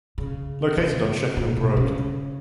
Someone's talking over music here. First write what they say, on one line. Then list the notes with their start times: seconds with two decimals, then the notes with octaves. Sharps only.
Located on Sheffield Road.
0.18 C#3
0.77 C#3
1.37 A#2
1.57 B2
1.77 C#3